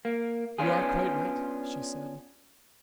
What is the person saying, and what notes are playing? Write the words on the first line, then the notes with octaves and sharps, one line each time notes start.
'You are quite right,' she said.
A#3
B3 C#4 D4 F4 G#4